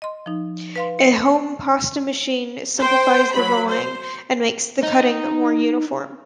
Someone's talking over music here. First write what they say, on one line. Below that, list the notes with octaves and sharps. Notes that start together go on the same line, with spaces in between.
A home pasta machine simplifies the rolling, and makes the cutting more uniform.
D#5 C6
F3 D#4
B4 F5 C6
D#5 C7 C#7
C5 G5
F#3 B5
C5
D#4